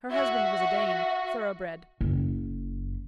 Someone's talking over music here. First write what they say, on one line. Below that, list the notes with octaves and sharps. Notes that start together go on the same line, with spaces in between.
Her husband was a Dane, thoroughbred.
F#4 E5
F#1